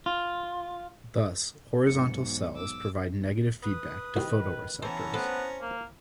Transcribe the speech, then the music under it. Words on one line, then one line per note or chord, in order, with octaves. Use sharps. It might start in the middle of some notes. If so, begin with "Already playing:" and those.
Thus, horizontal cells provide negative feedback to photoreceptors.
F4
B1 E2 G#2 C#7
D6 E6
B4 D#6
C2 D#3 F#4
E3 B3 C#4 C5 A5 A#5
B3 C4 A4 B5
A#3